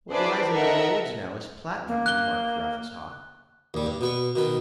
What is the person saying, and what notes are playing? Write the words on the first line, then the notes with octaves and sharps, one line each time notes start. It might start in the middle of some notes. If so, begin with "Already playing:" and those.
"What lies in the moulds now is platinum," remarked Raffles Haw.
D4 E4 G#4 B4 C5 D5
A4 A#4 C5 D#5 E5 F#5
A#3
F#6 G7
D#2 G3
G2
B2 B4 C#6
B2 D#3 B4